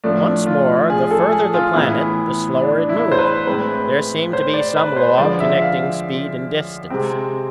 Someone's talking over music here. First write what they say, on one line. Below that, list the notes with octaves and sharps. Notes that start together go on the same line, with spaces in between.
Once more, the further the planet the slower it moved; there seemed to be some law connecting speed and distance.
A2 F3 A3 D4
F4
G#4
A4
G#4
F4
A2 E3 B3 E4
D4
E4
C5
B4
A2 G#3 C4 B4
C5
D5
B4
C5
D3 F3 G#3 D5
E5
F5
C3 G#3 C4